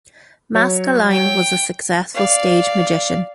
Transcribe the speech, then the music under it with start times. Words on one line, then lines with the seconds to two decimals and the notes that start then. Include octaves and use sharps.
Maskelyne was a successful stage magician.
0.55 F#3 C#5
1.11 G5
2.14 D5 F5